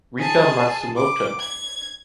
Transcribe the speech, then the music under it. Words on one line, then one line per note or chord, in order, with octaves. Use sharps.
Rika Matsumoto.
G#4 A5
D6
G#6